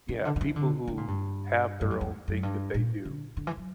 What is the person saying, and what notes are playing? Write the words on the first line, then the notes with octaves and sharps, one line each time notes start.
Yeah, people who have their own thing that they do,
C#3
D3
D3
E3
D3
D3
A#2
G2
G2
F#2
E2
F#2
G2
A#2
D3
D3
E3
F#3